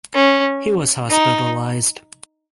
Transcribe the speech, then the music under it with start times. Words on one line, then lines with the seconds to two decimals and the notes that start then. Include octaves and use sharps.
He was hospitalized.
0.14 C#4
1.09 D#4